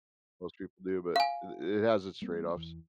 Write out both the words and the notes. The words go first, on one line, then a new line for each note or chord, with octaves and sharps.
most people do, but, i it has its trade-offs.
F5 G#5
G3 A#3 C4
E2 E3